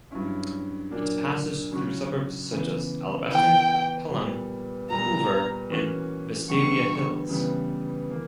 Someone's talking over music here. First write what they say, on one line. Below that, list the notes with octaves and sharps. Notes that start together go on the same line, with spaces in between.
It passes through suburbs such as Alabaster, Pelham, Hoover and Vestavia Hills.
G2 F#3 C#4 E4
A#2 F#3 A#3 D4
C#3 F#3 C#4 F#4
C#3 E3 B3
E3 B3 E4 G5
A#2 G3 B3
A#2 G3 B3 A#5
E3 A#3 C#4 F#4
E2 D3 G3 B3 C#6
C#3 E3 G3 B3
E3 A#3